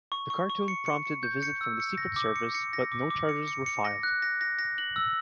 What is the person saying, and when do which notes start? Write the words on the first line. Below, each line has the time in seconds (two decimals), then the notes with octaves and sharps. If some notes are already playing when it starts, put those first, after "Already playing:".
The cartoon prompted a visit from the Secret Service, but no charges were filed.
0.12 C#6
0.30 C#6
0.50 C#6
0.68 C#7
0.86 C#7
1.05 C#7
1.23 G6
1.42 C#7
1.61 E6
1.80 C#7
1.98 A#6
2.16 D6
2.36 C#7
2.55 C#7
2.73 A#6
2.92 D6
3.10 D6
3.29 C#7
3.48 C#7
3.66 C#7
3.85 A#6
4.03 F#6
4.22 A#6
4.41 A#6
4.59 A#6
4.78 F#7
4.96 E6